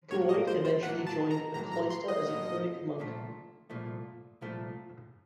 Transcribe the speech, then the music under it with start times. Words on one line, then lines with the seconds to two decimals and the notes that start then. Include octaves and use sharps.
Guiot eventually joined a cloister as a Cluniac monk.
0.11 A2 F#3 A#3 C#5
0.29 D#5
0.47 C5
0.65 C5
0.83 A2 F#3 A#3 F#5
1.07 A5
1.31 A#5
1.55 A2 F#3 A#3 A#5
1.72 A#5
1.90 C6
2.08 D#5
2.26 A2 F#3 A#3
2.98 C2 A#2 F3 A3
3.70 C2 A#2 F3 A3
4.41 C2 A#2 F3 A3